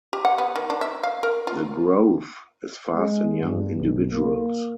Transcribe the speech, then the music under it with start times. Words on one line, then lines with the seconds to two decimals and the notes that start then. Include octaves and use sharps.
The growth is fast in young individuals.
0.13 G4
0.25 F#5
0.38 B3
0.56 D#3
0.70 D4
0.81 E5
1.03 F5
1.23 A#4
1.47 F4
2.95 G#3
3.42 G2
3.80 B1
4.11 A#3